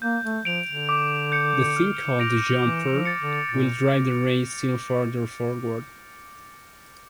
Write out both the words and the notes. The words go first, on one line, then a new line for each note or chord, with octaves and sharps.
The thing called the jumper will drive the ray still farther forward.
A#3 G6
A3
F3 D7 F7
D3
D6
G6 C#7
F6
A#6 D7 F7
E3 D6
F3
A6 C#7
D3
A#2 A6